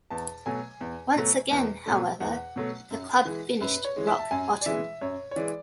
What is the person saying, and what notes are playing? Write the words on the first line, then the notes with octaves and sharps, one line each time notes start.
Once again however the club finished rock bottom.
E2 A5
B2 F#3 A3 G#5
E2
B2 F#3 A3
E2
B2 F#3 A3
E2 F#5
B2 F#3 A3
F#2
E3 G#3
F#2 B4
C#5
E3 G#3
E5
A5
F#2 G#5
D5
E3 G#3 E5
F#2 C#5
C#5
E3 G#3 D5